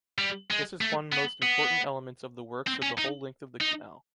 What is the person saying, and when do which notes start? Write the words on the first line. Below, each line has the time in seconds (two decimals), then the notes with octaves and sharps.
This is one most important elements of the works of the whole length of the canal.
0.18 G3
0.50 G#3
0.81 A3
1.12 B3
1.43 B3
2.67 C4
2.82 C#4
2.98 D#4
3.61 D#4